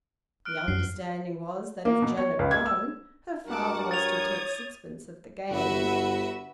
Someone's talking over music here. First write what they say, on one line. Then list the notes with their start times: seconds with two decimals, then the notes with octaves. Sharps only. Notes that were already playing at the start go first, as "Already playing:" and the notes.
The understanding was that if Janet won, her father was to take sixpence of the gain.
0.45 F6 F#6 D7
0.68 F#2 C7
1.85 A#3
2.02 B2
2.17 C#5
2.39 C#2
2.51 G#6
2.66 E6
3.46 G2 F#4 A#4 F#5 A5 D6
3.91 C#5 D#6 G#6 A6 F7
5.50 G1 F#4 B4 E5